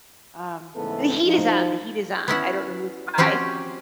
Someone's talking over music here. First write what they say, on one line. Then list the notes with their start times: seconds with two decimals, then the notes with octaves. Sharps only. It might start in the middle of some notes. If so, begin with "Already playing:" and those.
Um, The Heat Is On, The Heat Is On, I don't know who it's by.
0.76 G#2 C#3 E3 A3 B3 A4
1.24 F3 D#4
2.28 B3 C#4 E4 F#5
3.18 F3 C4 C#4 F#4 G4